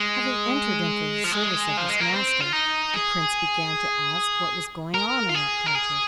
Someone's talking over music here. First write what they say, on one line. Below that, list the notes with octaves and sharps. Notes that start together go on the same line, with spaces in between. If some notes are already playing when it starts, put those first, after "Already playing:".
Having entered into the service of this master, the Prince began to ask what was going on in that country.
Already playing: G#3
F3
G#3
F3
G#3
A#3
C4
F4
D#4
G#4
A#4
F4
G#4
A#4
G#4